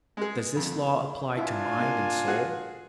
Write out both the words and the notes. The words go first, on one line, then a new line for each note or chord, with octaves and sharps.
Does this law apply to mind and soul?
G#3 G#4
F2
D4 E4 F4 E5 G#5
A#3
F#4 G#4 F#6